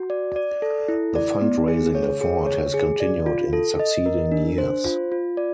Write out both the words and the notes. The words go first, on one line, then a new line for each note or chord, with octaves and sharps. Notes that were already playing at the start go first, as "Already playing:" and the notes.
The fund raising effort has continued in succeeding years.
Already playing: F#4
D5
D5
A4
E4
D5
B3
G#4
C#5
G#4
C#5
G#4
D5
F4
A4
D#5
A#4
D4
C5
F4
F4
D5